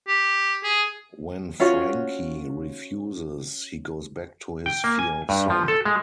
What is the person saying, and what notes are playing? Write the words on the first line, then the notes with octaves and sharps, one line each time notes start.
When Francie refuses, he goes back to his fiancee.
G4
G#4
C#4 F4 F#4 C#5
G5
A#3
G#5
G2
F3
A4
G#3